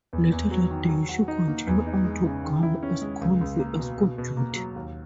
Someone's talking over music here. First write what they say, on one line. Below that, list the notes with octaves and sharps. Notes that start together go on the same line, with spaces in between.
Later that day, she continued on to Guam as convoy escort duty.
E2
E2
F#3
D#3
F#3
F#4
D#4
A#3
E2
D#4
G#3
C#3
D#3
E4
C#4
G#3
C#2
C#2
A#3
B2
B2
B2
A#3
F#3
D#2